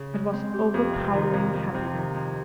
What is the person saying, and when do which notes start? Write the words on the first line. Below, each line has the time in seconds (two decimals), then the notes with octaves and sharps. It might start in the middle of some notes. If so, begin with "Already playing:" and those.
It was overpowering happiness.
Already playing: C#3
0.13 G#3
0.33 C4
0.54 G4
0.74 F2
0.93 C3
1.14 D#3
1.33 F2
1.54 F2
1.74 C3
1.94 D#3
2.15 F2